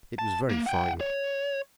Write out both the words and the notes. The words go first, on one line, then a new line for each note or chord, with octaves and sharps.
It was very fine!
A5
A#3
F#5 G5
C#5